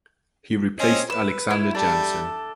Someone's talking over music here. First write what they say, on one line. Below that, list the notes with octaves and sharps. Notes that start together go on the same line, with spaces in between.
He replaced Aleksander Janson.
C4 C#4 G#4 D#5
B4 E6
C#4 E4
G3 A3 D4 A4